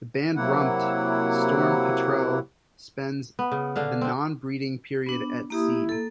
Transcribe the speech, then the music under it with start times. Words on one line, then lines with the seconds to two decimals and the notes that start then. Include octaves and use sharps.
The band-rumped storm petrel spends the non-breeding period at sea.
0.36 C3 F#3 A#3 E4 F#5
3.39 B3
3.52 C#3
3.76 D3 D4 F5
4.01 C4 D4
5.06 B3 D4
5.50 A#3 E4 G4 D#6
5.89 A#3 A4